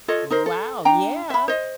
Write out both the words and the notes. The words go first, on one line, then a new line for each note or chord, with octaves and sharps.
Wow, yeah!
F4 A4 C#5 D#5
D#4 A#4 C5
A4
D4 G5 A#5
E5 B5
C5 D#5